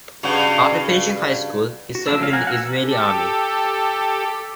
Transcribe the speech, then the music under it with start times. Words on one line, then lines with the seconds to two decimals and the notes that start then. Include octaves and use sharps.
After finishing high school, he served in the Israeli Army.
0.23 G2 C#3 F#4
1.95 F#4
2.07 F3 F#3 A#3 D4 E6
2.20 F3 A3 C#4 F5
2.33 F5 F#5 G#5 A#5
2.47 F#5 G#5 E6
2.82 G4 A4